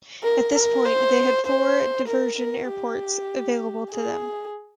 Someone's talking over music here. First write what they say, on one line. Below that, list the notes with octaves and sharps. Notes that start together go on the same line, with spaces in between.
At this point they had four diversion airports available to them.
A#4
A#4
C5
C5
A#4
A#4
G4
G#4